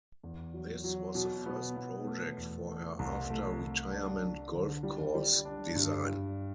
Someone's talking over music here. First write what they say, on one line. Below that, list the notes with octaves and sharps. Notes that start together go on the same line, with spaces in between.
This was the first project for her after-retirement golf course design.
E2
F#3
F#3
B2
B3
B3
A3
E2
A3
C2
A3
C2
D4
D4
D3
G3
G3
D4
G2
G3